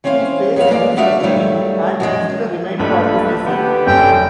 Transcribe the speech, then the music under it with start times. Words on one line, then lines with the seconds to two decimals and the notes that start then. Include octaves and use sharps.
He faced knee surgery and missed the remainder of the season.
0.04 E3 C4 C#4 C5 F5
0.56 F2 F#3 A#3 B4 F5
0.70 G#3 A#3 A#4 D5
0.96 G3 B3 D4 F#4 E5 F5
1.23 G2 D#3 F#3 G3 A3
2.00 F#2 D#3 G#3
2.79 B1 G2 A#2 A3 D4 B4
3.47 D3 B3 G4
3.87 F1 F#2 F#3 A4 G5